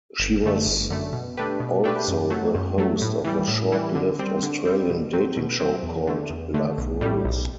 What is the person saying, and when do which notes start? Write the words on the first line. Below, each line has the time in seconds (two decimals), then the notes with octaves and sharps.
She was also the host of a short-lived Australian dating show called "Love Rules".
0.19 G1
0.43 F#2 D3 A3
0.67 G1
0.90 F#2 D3 A3
1.13 B2
1.37 A3 D4 G4 B4
1.60 B2
1.84 A3 D4 G4 B4
2.08 F#2
2.30 F#3 A3
2.55 F#2
2.78 F#3 A3
3.02 A2
3.24 E3 G3
3.48 A2
3.72 E3 G3
3.95 D3
4.19 G3 C4
4.43 D3
4.65 G3 C4
4.89 B2
5.13 F#3 C4
5.37 B2
5.60 F#3 C4
5.83 E2
6.07 D3 A3
6.30 E2
6.54 D3 A3
6.78 B1
7.01 A2 G3
7.24 B1